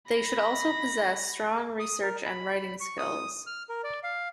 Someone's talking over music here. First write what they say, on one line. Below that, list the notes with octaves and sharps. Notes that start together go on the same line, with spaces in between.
They should also possess strong research and writing skills.
B5 A#6
D#6
A#4
B5
C#6
D#6
F6
A#4
D5
F5